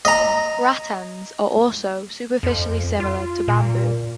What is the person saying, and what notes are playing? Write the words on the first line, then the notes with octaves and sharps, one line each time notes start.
Rattans are also superficially similar to bamboo.
D#5 A#5
F2
F4
A#2